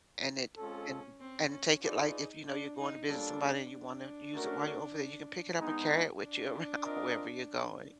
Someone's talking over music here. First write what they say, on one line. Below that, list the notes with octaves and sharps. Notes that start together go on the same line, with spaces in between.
and it, and and take it, like, if, you know, you're going to visit somebody and you wanna use it while you're over there, you can pick it up and carry it with you around wherever you're going.
G#3 C4 C#4 F4 A4
C4
C#4
D#4 F4 G#4 B4 D5
D4
D#4
G3 A#3 C#4 D4 F4 A4
D4
A3 C#4 F#4 A#4
G#3 B3 D#4
D4
C4 F4 A#4 D#5